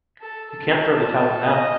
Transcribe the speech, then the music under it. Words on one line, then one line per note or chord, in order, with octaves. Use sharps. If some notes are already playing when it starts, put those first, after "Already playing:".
You can’t throw the towel now!
A4
A4
D#5